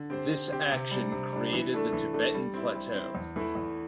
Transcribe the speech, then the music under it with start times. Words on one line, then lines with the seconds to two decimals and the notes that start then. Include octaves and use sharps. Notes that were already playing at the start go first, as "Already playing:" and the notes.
This action created the Tibetan Plateau.
Already playing: D3
0.10 C4 G4 C5
0.30 D3
0.51 C4 G4 C5
0.72 C3
0.91 G3 D4
1.12 C3
1.32 G3 D4
1.53 E3
1.74 A3 D4 A4
1.93 E3
2.13 A3 D4 A4
2.34 G3
2.54 C4 E4
2.75 G3
2.94 C4 E4
3.15 E2
3.36 E3 A3 E4
3.55 E2